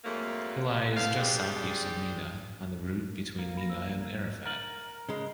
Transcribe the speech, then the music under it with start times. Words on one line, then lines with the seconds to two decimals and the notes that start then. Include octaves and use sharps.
It lies just southeast of Mina, on the route between Mina and Arafat.
0.04 F2 G#2 F#3 A3 A#3
0.95 B3 C4 A4 F5
1.17 F3 G3 C4 D4 G4 G#4
3.39 A#3
3.57 B5 A#6
3.70 E6
4.45 A#4 F6 A6 F#7
5.09 C#3 G#3 G7